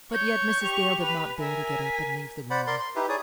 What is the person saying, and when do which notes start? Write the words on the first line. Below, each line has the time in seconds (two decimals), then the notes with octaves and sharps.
But yet Mrs. Dale did not dare to get up and leave the room.
0.14 C#5 C#6 G6
0.64 G4 F7
1.01 B4
1.39 A#4 E5 G#5
1.84 B6
2.51 C5 D5 F#5 B5
2.67 A#4 D5 C6
2.80 C6
2.96 D#4 E4 G4 B4
3.09 G#4 C#5 D5 D#6